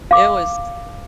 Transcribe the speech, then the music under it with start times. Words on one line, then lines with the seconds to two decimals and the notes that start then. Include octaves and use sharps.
it was
0.11 F5 D6